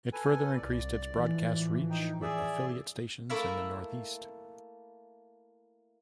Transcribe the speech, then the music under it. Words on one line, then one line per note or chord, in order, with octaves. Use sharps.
It further increased its broadcast reach with affiliate stations in the northeast.
A4 B4 G#5
C2 D5
A2 E3 F3
D#4 G5
G#4 D5 E5
A3 A#3 E4 E5 F5